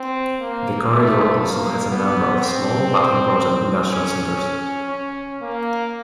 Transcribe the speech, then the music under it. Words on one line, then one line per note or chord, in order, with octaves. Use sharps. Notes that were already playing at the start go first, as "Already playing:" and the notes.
The corridor also has a number of small but important industrial centers.
Already playing: C4
A#3
A3
A#3
B3
C4
C#4
C#4
C#4
A#3